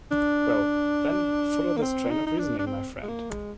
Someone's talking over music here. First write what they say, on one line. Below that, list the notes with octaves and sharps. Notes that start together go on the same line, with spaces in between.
Well, then, follow this train of reasoning, my friend!
D4
A#3
C4
D#4
D#4
D4
D4
C4
G#3
A#3
G#3